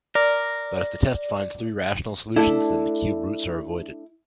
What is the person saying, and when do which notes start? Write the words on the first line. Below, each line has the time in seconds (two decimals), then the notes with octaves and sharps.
But if the test finds three rational solutions, then the cube roots are avoided.
0.15 A#4 D5
2.36 A3 D4 E4 A4